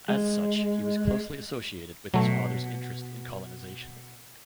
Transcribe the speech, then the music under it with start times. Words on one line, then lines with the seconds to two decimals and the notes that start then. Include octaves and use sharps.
As such, he was closely associated with his father's interest in colonisation.
0.09 G#3
2.14 B2 F#3 A3